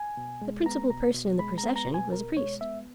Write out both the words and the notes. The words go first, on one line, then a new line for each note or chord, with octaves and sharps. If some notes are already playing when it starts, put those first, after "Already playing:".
The principal person in the procession was a priest.
Already playing: G#5
B2
G#3
B3 A#5
B2 A#5
B2
G#3 B5
A#5
B3
A#5
B2
G#5
B2 A#4
G#3 C#5
B3 E5